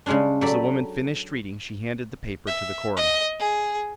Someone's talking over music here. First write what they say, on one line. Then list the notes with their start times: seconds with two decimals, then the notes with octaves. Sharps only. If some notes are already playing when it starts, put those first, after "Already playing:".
As the woman finished reading she handed the paper to the coroner.
0.06 C#3 G3 G#3 C#4 D4
0.41 F#3 G4 A4 D5 B5
2.47 E5
2.96 D#5
3.39 G#4